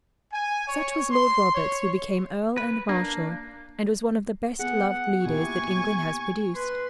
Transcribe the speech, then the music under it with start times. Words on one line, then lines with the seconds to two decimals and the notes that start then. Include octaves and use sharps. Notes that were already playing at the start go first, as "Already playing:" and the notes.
Such was Lord Roberts who became Earl and Marshal, and was one of the best-loved leaders that England has produced.
0.33 G#5
0.67 C#5
1.11 C6
1.55 C#5
2.57 B4
2.89 A#3 D4
4.59 B3 G#4 F#5
4.89 F#5
5.26 A#2 B3 E4 G4 G#5 C#6
6.55 B4 C6